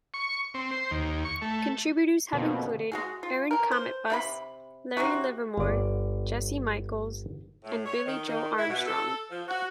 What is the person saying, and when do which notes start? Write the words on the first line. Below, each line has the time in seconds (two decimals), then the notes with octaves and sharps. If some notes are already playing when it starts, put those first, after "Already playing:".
Contributors have included Aaron Cometbus, Larry Livermore, Jesse Michaels, and Billie Joe Armstrong.
0.14 C#6
0.54 C4
0.71 C5
0.91 D#2
1.25 C#6
1.42 A3
2.33 F2 B2 D3 A#3 C4
2.92 G#3 F#4 G#4
3.23 F4
3.51 C#4 A#4
3.71 C5
4.10 C3 F4 B5
4.97 C3 G#3 D#4 F#4
5.57 G1 D5
7.64 A2
7.86 C#5
8.05 D#3
8.27 D#3
8.56 E4
8.69 B2
8.86 A4
9.30 F3
9.47 F#4